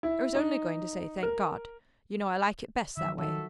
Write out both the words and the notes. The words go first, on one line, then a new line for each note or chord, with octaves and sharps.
"I was only going to say 'Thank God.' You know I like it best that way."
E4
D#4
A#4
D#3 F3 F#3 E5
D#3 E3 F#3 F#4 A4 E5